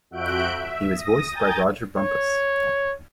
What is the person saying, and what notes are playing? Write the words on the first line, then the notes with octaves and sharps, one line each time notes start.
He was voiced by Rodger Bumpass.
F2 F#4 E5 F#6 G6 D7
E5
D#6 A#6
G5 G#5 A#5 D#6 G6 A6
C#5